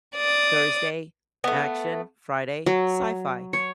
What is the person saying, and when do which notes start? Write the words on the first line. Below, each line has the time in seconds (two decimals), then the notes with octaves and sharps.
Thursday, action. Friday, sci-fi.
0.16 D5 D#6
1.44 A3 B3
2.66 F#3
3.53 C#5